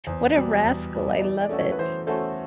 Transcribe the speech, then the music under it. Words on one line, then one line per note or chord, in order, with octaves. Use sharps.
What a rascal. I love it.
E2 C5
B2 G3
E2
B2 G3
D#5
E3 D5
D5
A3 C#4 F#4 A4
C#5
B4
E3 C5
A3 C#4 F#4 A4 C5